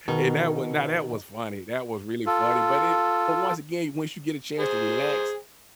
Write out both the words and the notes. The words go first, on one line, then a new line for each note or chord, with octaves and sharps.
and that was now that was funny. That was really funny, but it but once again, once you get a chance to relax
B2 D#3
F4 A4
G#4 C5